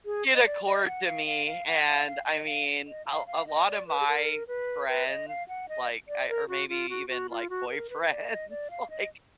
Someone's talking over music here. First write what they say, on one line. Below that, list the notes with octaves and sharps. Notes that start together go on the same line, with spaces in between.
did accord to me, and, I mean, a a lot of my friends, like, I or maybe even, like, boyfriends, like,
G#4
D#5
D5
D#5
F#5
F5
F5
F5
F#5
F5
F5
D#5
F5
D#5
F5
F5
D#5
D5
B4
G#4
A#4
B4
B4
D#5
F5
F#5
D#5
D5
A#4
F#4
F4
F#4
F#4
F4
F#4
A#4
B4
D5
D#5
D5
F5
D#5